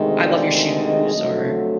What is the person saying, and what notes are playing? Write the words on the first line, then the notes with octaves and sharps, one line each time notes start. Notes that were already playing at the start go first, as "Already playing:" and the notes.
"I love your shoes" or,
Already playing: D2 C3 D#3 G#3
D5
D#5
F2 D3 F#3 A3